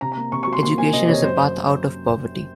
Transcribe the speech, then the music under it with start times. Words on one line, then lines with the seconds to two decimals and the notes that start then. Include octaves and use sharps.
Education is a path out of poverty.
0.01 C3 A#5
0.12 A#3 A#5
0.32 C3 C#6
0.43 F#3 C#6
0.53 C6
0.63 A#3 C6
0.78 A#3 G#5
0.93 C3 D#5
1.09 C3 C#5
1.24 F#2 C5